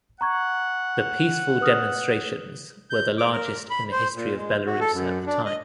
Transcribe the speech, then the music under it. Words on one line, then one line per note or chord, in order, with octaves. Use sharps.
The peaceful demonstrations were the largest in the history of Belarus at the time.
F#5 A#5 C#6 G#6
B4 D#6 F6
G6
D6
A#4
B5
C5
A#2
G#3
F#4
A4
F#2
D4
D#5